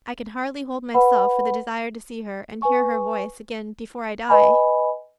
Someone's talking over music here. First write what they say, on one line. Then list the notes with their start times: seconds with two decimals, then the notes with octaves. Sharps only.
I can hardly hold myself for the desire to see her and hear her voice again before I die.
0.94 B4 F#5 B5
2.62 B4 G#5 C#6
4.29 B4 D#5 G#5 B5